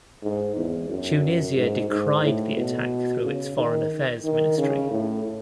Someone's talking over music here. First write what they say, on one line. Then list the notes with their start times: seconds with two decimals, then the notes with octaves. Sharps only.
Tunisia decried the attack through its foreign affairs ministry.
0.23 G#2
0.56 E2
0.90 F#2
1.56 G#2
1.90 G#2
2.23 A2
2.57 B2
3.24 C#3
3.57 D#3
4.24 D#3
4.58 C#3
4.90 A2